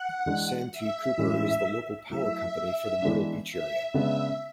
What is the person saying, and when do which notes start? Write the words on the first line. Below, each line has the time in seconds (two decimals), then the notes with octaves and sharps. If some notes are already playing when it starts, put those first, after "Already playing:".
Santee Cooper is the local power company for the Myrtle Beach area.
Already playing: F#5
0.26 E3 G#3 D4
0.72 E5
1.17 A2 E3 G#3 C#4 E4
2.10 F#3 A3 E4 E5
3.02 E3 G#3 B3 D4
3.48 E5
3.93 C#3 G#3 B3 D4 E5